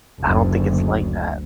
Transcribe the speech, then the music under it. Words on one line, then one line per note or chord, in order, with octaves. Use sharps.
eh, I don't think it's like that.
F#1 D2